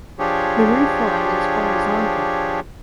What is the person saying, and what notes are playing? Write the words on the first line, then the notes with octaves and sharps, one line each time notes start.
The roofline is horizontal.
F3 D4 F4 G4 G#4 C#5